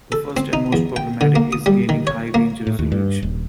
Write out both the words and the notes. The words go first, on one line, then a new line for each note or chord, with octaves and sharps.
The first, and most problematic, is gaining high-range resolution.
A4
C4
D#4
E2
G5
D3
A#3
D#6
G3
D#3
C#5
A#3
A2
D#2
G2
D#1